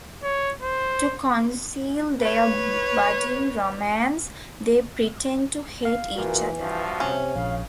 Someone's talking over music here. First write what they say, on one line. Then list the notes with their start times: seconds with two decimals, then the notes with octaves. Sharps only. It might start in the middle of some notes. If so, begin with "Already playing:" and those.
To conceal their budding romance they pretend to hate each other.
0.23 C#5
0.62 C5
2.20 B4 C#5
5.85 F5
6.16 A#1 A#2 E3 F#4 A#4
6.61 G2 F3 F#4 E5
7.00 C3 C#4
7.36 A#1 C#3 F5